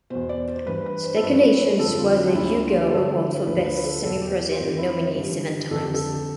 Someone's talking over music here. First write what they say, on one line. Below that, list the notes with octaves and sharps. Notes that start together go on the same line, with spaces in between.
"Speculations" was a Hugo Award for Best Semiprozine nominee seven times.
E2 B2 C5
D5
C5
G2 E3 B4
B4
C5
A4
G2 F3 B4
F2 D3 F3 A4
F4
D4
F4
D2 D3 F3 E4
F4
F4
G4
G2 D3 F3 A4
D2 D3 F3 B4
C5
B4
B4
A4
E2 B2 A4
G4
G4
F4
F2 E3 G4
E4
G2 D3 F3 G4
F2 D3 F3 A4
G4
A4